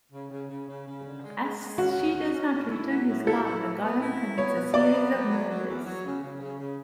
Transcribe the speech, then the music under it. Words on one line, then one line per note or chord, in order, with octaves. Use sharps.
As she does not return his love, the golem commits a series of murders.
C#3
C#3
C#3
C#3
C#3
D3
G#3
G#3
G#3
C#4 F#4
D2
C#4
C#4
A2
E4
F#3
A2
E4 A4
E4
A2
B3
E4
F#3
B3 C#5
B2
F#3 D5
B3
F#3
F#3
F#3
E2
F#3
C#3
C#3
C#3
C#3